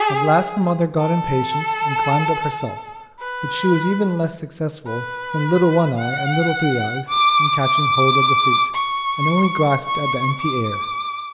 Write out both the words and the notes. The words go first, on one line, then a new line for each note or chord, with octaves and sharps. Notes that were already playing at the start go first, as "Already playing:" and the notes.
At last the mother got impatient and climbed up herself, but she was even less successful than Little One-eye and Little Three-eyes in catching hold of the fruit, and only grasped at the empty air.
Already playing: G#4
A4
B4
B4
F#5
D6
D6
C#6
C#6
D6